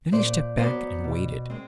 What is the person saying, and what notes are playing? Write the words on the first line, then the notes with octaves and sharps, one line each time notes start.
Then he stepped back and waited.
A#2 C5 D5
F#3 B3 C5 D5
B2
G#3 C4